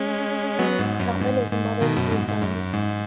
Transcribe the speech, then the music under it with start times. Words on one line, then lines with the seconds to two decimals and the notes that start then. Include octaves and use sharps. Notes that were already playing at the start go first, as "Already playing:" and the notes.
Troutman is the mother of three sons.
Already playing: G#3 C#4
0.59 F#3 B3
0.79 G#2
0.99 F#2
1.20 G#2
1.51 G#2
1.81 B2 D#3
1.97 F#2 B2
2.11 G#2
2.27 G#2
2.42 F#2
2.73 G#2